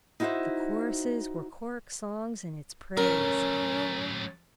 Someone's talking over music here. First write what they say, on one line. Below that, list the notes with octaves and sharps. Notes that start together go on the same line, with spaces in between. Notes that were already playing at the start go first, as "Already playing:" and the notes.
The choruses were choric songs in its praise.
D#4 E4 F#4 A4 C5 E5
F#3 A3 C#4 A#4